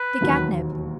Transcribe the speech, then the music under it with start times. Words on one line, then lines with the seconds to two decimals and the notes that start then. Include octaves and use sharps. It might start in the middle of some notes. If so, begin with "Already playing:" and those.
The Cat-nip.
Already playing: B4
0.21 E1 D#2 D#3 F#3